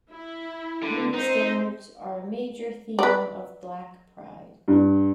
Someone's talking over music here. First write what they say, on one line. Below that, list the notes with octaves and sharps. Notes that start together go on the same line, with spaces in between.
Beauty standards are a major theme of black pride.
E4
D3
C4 D#4 C5
B4 D5
G2